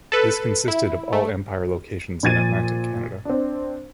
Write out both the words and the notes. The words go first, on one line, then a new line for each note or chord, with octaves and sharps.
This consisted of all Empire locations in Atlantic Canada.
A4 B4
E4
A3
A#2 F3 G#6 A6 D#7
C4 D4